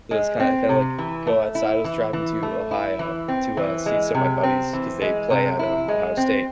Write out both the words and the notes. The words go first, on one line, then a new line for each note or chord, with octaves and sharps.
It was kind kinda like, go outside, I was driving to Ohio to, uh, see some of my buddies 'cause they play at, um, Ohio State,
G#3
C4
C3
E3
A3
E4
E3
E3
A3
E4
E3
C4
E3
G#3
C3
C4
E3
G#3
C3
E4
G#3
C4